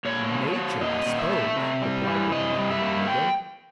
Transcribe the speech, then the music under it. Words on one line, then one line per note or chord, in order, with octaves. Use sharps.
"Nature, I s'pose!" replied the white-haired widow.
A#2 C#5
F3
F3
A#2 D#5
A#2
E5
A3
C3
G3
E3
C3 D#5
G3
E5
A#3
G5